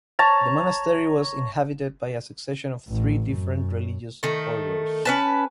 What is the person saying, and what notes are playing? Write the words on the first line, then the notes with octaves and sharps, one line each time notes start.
The monastery was inhabited by a succession of three different religious orders.
C#5 A5 A#5
A1
F#2
D#3 A3
C#4 B4 A5